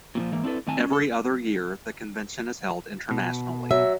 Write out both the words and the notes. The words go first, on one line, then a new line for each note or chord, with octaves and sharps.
Every other year, the convention is held internationally.
A#2 E3 F3
G#2 E3 A#3
C4 D4 E4 F#4 A4 B4
A2 D#3 C4 G#5 A5
C#4
A4
B2
F#3 E5